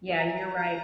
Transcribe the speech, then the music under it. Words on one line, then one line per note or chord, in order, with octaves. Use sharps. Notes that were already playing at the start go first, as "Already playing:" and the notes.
yeah, you're right.
A#5
G#5
A#5
A#5